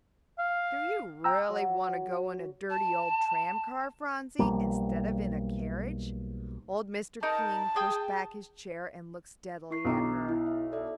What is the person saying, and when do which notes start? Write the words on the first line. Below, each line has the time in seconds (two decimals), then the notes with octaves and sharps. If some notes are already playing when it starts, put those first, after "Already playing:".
"Do you really want to go in a dirty old tram-car, Phronsie, instead of in a carriage?" Old Mr. King pushed back his chair and looked steadily at her.
0.39 F5
1.24 G5 A#5 E6
1.49 F#3
2.70 A5
4.39 B1 F3 G3 A#3
7.23 D#4 A#4 A5 G6
7.76 G#4 G5 D#6
9.71 E4 C#6 C7
9.85 B1 D4 A#5 D6
10.29 E4
10.46 E5
10.72 A4 D5 E5